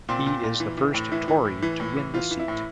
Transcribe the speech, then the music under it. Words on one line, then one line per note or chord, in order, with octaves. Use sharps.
He is the first Tory to win the seat.
A#2 C4
A#2
A#2
E3
E3
A2
E3 E4
E3
A2
E3
A2
E3
E3 F4
E3
E4
A2